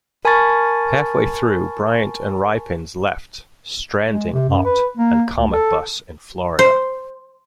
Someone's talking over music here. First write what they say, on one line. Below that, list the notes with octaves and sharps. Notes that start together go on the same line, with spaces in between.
Halfway through, Bryant and Rypins left, stranding Ott and Cometbus in Florida.
A#4 G#5 A5 B5 C#6 A6
G#3
C3
F#2
B4
A#3
D2
A4
C5